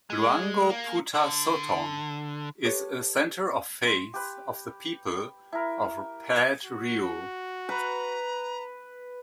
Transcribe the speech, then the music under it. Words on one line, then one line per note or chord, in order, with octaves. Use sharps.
"Luangpho Phuttha Sothon" is a centre of faith of the people of Paet Riu.
G#3
A#3
D3
G4 A4 B4 C#5
C6
G4 B4
E4 A#4
F#4
B4 A#5